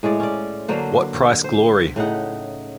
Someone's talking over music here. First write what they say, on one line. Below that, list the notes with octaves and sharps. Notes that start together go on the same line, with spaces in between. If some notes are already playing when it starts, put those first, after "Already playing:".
What Price Glory?
A2 G#3 C#5 D5
C#4 D5
D3 F#3 A#3 C5
C5
A2 C#3 D#4 F#5